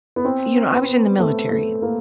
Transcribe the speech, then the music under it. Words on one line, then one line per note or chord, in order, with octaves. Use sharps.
you know, I was in the military
B3
C4
B3
A3
A3
A#3